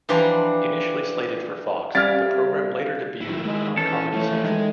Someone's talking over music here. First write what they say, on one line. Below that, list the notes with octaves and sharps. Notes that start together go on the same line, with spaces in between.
Initially slated for Fox, the program later debuted on Comedy Central.
E3 F3 G3 D4 C5 A#5
C3 G3 G4 D5 F5 F6 G#6 A6
D1 D#3 E4
G#3
E3 C#4 A4 A5
A2 F3 A3
D#3 G#3